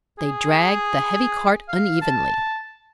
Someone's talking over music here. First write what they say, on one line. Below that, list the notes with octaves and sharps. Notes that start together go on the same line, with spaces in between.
They dragged the heavy cart unevenly.
G#4
F5
A5